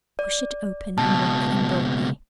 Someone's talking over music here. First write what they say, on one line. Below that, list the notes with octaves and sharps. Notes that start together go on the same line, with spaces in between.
Push it open and walk in boldly.
D5
C#2 B2 A5